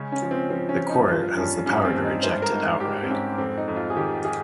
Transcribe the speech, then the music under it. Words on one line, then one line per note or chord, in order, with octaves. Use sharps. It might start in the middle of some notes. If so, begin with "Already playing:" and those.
The court has the power to reject it outright.
Already playing: C#3 G#3 C#4
C#4
F3
C4
F3 C4
C#4
F3
D#4
G2 F4
G2 C#4
G2 C#4
C4
G2
D#4
G#2 C5
A#4
G#2
G#2 G4
C4
G#2 C#4
F2 C4
D#4
F2
F4
G#4
D#3 G4
G#4